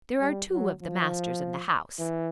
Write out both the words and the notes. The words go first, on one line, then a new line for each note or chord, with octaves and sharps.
There are two of the masters in the House.
G3
F#3
F3
E3